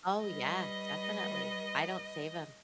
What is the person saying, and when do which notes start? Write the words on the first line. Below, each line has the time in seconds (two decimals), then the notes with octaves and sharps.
Oh, yeah. Definitely. I don't save 'em.
0.24 G3 B4 D#5